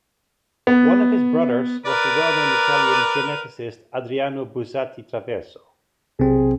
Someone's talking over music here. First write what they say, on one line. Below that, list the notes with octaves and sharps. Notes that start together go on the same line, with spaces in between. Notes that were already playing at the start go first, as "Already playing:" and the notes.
One of his brothers was the well-known Italian geneticist Adriano Buzzati-Traverso.
B3
A#4 B4 D5
B1 C3 C4 G#4